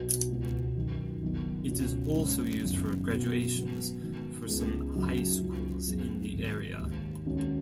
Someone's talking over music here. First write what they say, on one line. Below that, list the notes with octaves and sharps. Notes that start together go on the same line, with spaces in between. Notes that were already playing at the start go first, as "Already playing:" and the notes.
It is also used for graduations for some high schools in the area.
Already playing: B1 B2 F#3
C#2 B2 B3
F#2 D#3 F#3
F#1 F#2 D#3 B3
C#2 B2 F#3 C#4 F#4
G#2 F#3 C#4 F#4
F#1 F#2 D#3 B3
B2 B3 F#4
G#2 F#3 B3
G#2 D#3 F#3 B3
C#2 C#3 G#3 B3 G#4
F#2 C#3 F#3 D#4 F#4
C#2 C#3 F#3
F#2 F#3 B3 G#4
G#1 G#2 F#3
D#2 D#3 G#3
D#2 D#3 G#3 C#4 F#4